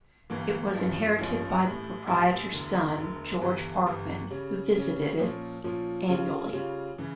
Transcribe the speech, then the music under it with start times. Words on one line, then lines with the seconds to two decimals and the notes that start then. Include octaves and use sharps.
It was inherited by the proprietor's son, George Parkman, who visited it annually.
0.30 G1 G2 E3 A#3
0.74 A1 G2 F3 C#4
1.19 A1 G2 F3 C#4
1.63 A1 A2 G3
2.07 A1 A2 G3
2.52 E1 D2 D3
2.97 E1 D2 D3
3.41 G1 G2 E3 G3
3.86 G1 G2 E3 G3
4.30 C#3 G3 C#4
4.75 C#3 G3 C#4
5.19 A#2 F3 C#4
5.64 A#2 F3 C#4
6.08 C#3 G3 C#4 F4
6.53 C#3 G3 C#4 F4
6.98 C#3 E3